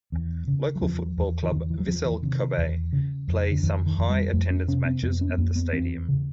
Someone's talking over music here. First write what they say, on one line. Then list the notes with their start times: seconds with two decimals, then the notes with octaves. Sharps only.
Local football club Vissel Kobe play some high attendance matches at the stadium.
0.12 E2
0.48 C#3
0.76 F#3
0.82 E2 F3
1.17 E2
1.43 E3
1.52 E2 D#3
1.70 E3
1.80 F#3
1.87 E2 F3
2.06 E3
2.22 C3 D#3
2.58 E2
2.93 C#3
3.28 F2
3.51 D3
3.63 F2 D#3
3.86 D#3
3.98 F2
4.10 G3
4.33 F2 A3
4.50 C#4
4.68 C3 C#4
4.85 C4
5.03 F2 B3
5.21 C#4
5.29 B3
5.38 F2 A#3
5.56 B3
5.73 E2 C4
6.09 C#3